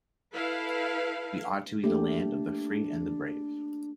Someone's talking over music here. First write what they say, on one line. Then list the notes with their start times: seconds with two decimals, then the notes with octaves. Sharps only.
We ought to be the land of the free and the brave.
0.33 E4 A4 B4 F5
1.84 A3 A#3 D4 G4